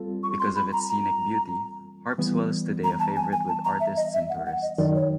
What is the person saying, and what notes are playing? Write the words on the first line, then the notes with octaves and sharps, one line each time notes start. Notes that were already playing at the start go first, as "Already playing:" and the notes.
Because of its scenic beauty, Harpswell is today a favorite with artists and tourists.
Already playing: G3 C4 F4 A4
C#6
C6
B5
A#5
A#5
E3 G3 B3
A#5
A5
G#5
G#5
A5
A#5
E5
D#5
E5
F#5
F#5
D#5
F#2 D#3 F#3 D5
C#5